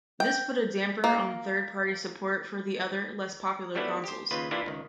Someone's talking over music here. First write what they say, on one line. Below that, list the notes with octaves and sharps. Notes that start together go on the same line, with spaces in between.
This put a damper on third party support for the other, less popular consoles.
G5
A#3
F#3 G3 A3 B3 D4 E4
G4 C5
D#2 C#3 F4 B4
E3 A#3 D4 E4 F4 G4
C#2 D#3